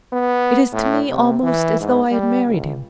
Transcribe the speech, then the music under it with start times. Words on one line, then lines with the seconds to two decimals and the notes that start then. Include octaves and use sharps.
It is to me almost as though I had married him.
0.13 B3
0.73 A2
1.10 C3
1.43 E3
1.80 G#2
2.11 G3
2.47 C#2